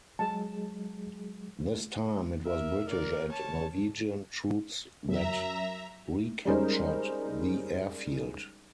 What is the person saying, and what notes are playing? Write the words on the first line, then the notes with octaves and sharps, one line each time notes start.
This time, it was British and Norwegian troops that recaptured the airfield.
F#3 G#3 G#4 A5
A#4 E5
A#4 D5
C#5 A5
F#2 E5 A#5
G3 G#3 C#4 D#4 A#4 C5